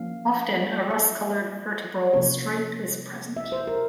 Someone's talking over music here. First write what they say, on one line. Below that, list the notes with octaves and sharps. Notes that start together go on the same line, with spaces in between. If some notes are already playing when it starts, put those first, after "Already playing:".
Often a rust-colored vertebral stripe is present.
Already playing: F3 A#3 C#4 F5
E5
C3 F3 A#3 C#4 C#5
E5
C5
A#4